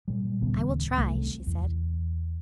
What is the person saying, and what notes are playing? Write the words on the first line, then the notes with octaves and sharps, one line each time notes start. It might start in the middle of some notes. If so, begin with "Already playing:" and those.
"I will try," she said.
A#2 G3
D1 D#2 C#3 B3
C2 A3 C4
E2